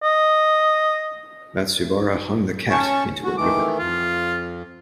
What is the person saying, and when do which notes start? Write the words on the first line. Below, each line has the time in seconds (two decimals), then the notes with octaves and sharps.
Matsubara hung the cat into a river.
0.03 D#5
2.70 C#4 A5 C#6
3.24 F#4
3.38 D#3 E3 A3 D6
3.79 F2 F4